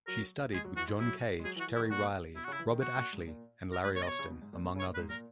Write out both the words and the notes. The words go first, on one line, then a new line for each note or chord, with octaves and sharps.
She studied with John Cage, Terry Riley, Robert Ashley, and Larry Austin, among others.
F#3 A#4
G#3 G#4
F#3
E3 F#4
G#3
F#3 E4
G#3
F#3 G#4
E3
F#4
E3
E4
D#3
A#2 F#4
B2 E4
F#4
C#3
E4
E3
D#3
B2 F#4
A#2
G#2
A#2
A#4
G#2 B4
A#2 C#5
D#5
B2 C#5
C#3
B2
G#2
A#2
B2
C#3
C#5
A#2
B4
G#2
A#2 A#4